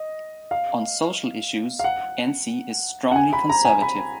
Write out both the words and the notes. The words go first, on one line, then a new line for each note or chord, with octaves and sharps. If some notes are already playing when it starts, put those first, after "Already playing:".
On social issues, Enzi is strongly conservative.
Already playing: D#5
F5
F5
F#5
F#5
G#5
B5
A#5
G#5
B5